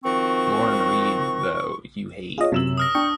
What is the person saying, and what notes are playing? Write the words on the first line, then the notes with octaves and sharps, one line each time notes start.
Lauren Reed, though, you hate.
D#3 F3 C4 F#4 C#6
F4 G#4 C#5 D#5
F#2 C3 E6 E7 F#7
D#6 F6 A#6
D4 G5 C#6